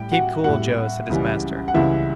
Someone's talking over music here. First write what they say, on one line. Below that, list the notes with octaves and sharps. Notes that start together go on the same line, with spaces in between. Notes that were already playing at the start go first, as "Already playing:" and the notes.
"Keep cool, Joe," said his master.
Already playing: A2 G3 G4 G5
F#4 F#5
A2 G3 F#4 F#5
C#2 C#3 E3 G3
F#5
C#2 C#3 E3 G3 E4 E5